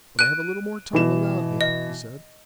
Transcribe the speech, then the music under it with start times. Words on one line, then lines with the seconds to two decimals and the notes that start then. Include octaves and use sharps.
'But I have a little more time allowed me,' he said.
0.19 F#6 D7 D#7
0.93 B2 E3 E7
1.61 D#5